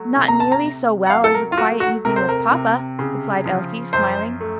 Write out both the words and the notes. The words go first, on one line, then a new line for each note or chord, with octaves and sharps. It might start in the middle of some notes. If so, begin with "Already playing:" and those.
"Not nearly so well as a quiet evening with papa," replied Elsie, smiling.
Already playing: F#3 A3
C3
A#5
A5
A#5
C3
F#5
F#3 F5
A4
A#4
F4
A3 F#4
F#4
C3 A#4
C5
A#4
C3
C#3
F3
F#2 C5
A3